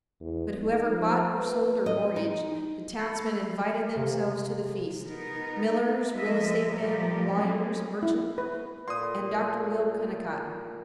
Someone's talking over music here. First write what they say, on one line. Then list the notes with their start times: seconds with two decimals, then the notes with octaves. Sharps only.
But whoever bought or sold or mortgaged, the townsmen invited themselves to the feast--millers, real-estate men, lawyers, merchants, and Dr. Will Kennicott.
0.20 E2
0.59 D#4
0.91 F3
1.37 B4
1.86 D#5
2.16 D#4
2.98 B5 E6 G#6 A#6 C7 C#7
3.96 C3 A#3
5.05 B3 D#4 A#4
6.15 F3 G#3 D#5 E5
6.73 A#2 F3 G3 G4 A#4
7.29 F#3 G#3 A3 C4 C#4
8.03 E4
8.38 B4
8.88 A#2 C6 D#6